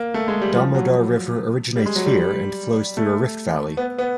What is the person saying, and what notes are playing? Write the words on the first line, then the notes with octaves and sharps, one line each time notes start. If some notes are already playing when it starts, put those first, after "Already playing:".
Damodar River originates here and flows through a rift valley.
Already playing: A#3
A3
G#3
G3
F3
F#3
G3
G#3
F#3
G3
A3
B3
B3